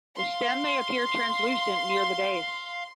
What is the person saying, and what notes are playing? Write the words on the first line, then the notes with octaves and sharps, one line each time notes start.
The stem may appear translucent near the base.
F5 C6